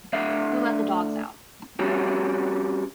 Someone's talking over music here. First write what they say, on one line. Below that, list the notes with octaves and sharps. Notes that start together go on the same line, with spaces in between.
Who Let the Dogs Out?
D2 D3 E5 F5
G3 C4 C#4 F#4 G4